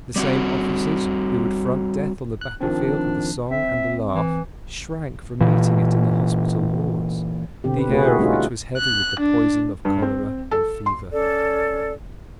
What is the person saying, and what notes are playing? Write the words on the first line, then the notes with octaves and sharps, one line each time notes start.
The same officers who would front death on the battlefield with a song and a laugh, shrank from meeting it in the hospital wards, the air of which was heavy with the poison of cholera and fever.
G3 C4 F#4
F#6
D#3 F3 C4 D4
C4 E5
E3
A#2 E3
B2 D3 C4 G4
G4 B4
A3 F#4 G#4 B4
E4 F#4 G#4
G3 A3 C#4 D#4 F4 F#4
F#6
D4
G2
C4
A4
C6
C#4 A4 D5